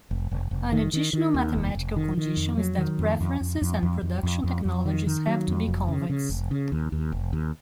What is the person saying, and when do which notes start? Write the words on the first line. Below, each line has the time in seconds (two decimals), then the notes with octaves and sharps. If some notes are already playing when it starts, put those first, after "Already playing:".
An additional mathematical condition is that preferences and production technologies have to be convex.
0.11 F1
0.31 F1
0.51 F1
0.72 D#3
0.93 D#3
1.13 D#3
1.34 D#2
1.55 F1
1.75 F1
1.96 D#3
2.17 D#3
2.37 F2
2.58 F#3
2.78 D#3
2.99 F2
3.21 F2
3.41 F2
3.62 F2
3.83 F2
4.03 F2
4.23 F2
4.44 F2
4.65 F2
4.86 D#3
5.07 D#3
5.27 F#3
5.48 F2
5.69 F1
5.88 C#3
6.10 C#3
6.29 F1
6.51 C#3
6.72 D#2
6.92 D#2
7.12 F1
7.33 D#2